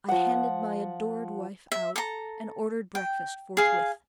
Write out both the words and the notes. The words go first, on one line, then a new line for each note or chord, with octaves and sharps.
I handed my adored wife out, and ordered breakfast forthwith.
F3 F#5
E5
A4 A#5
G5
G#4 F5